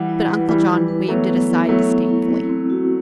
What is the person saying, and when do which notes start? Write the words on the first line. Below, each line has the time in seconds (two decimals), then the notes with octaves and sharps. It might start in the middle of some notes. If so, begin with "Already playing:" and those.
But Uncle John waived it aside disdainfully.
Already playing: E3 G3 F#5
0.09 E4
0.28 B4
0.49 E3 G3 E4
0.69 E4
0.88 B4
1.08 F#3 A3 B3
1.29 B3
1.50 E4
1.69 F#3 A3 B3
1.90 B3
2.09 E4
2.29 C4
2.49 C4
2.70 F#4